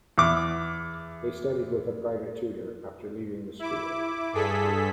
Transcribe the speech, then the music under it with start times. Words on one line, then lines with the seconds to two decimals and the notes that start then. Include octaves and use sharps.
They studied with a private tutor after leaving the school.
0.18 E2 D6
3.59 E4 D6
4.33 G2 G#4 A4 B6